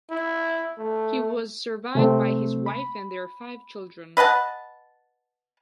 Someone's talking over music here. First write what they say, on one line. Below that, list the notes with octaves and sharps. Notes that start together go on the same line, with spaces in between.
He was survived by his wife, and their five children.
E4
A3
C3 A3 C4
B5
B4 D#5 F#5 A5